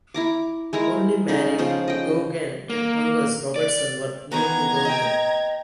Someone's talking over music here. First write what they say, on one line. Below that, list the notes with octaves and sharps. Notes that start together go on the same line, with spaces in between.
Only Mairi Gougeon and Angus Robertson were new to government.
E4 A#5 D6
G#3 E4 A#4 A#5
C#3 D#4 G#4
C#3 F3 F4 C5
D#5 G5
A#3
D5
D#3 E3 B3 A#5 G#6
D#5 G5